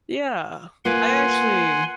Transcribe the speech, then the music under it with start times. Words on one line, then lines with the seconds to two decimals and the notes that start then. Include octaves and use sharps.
Yeah. I actually
0.85 A#3 F4 B4 F#5 G#5 C6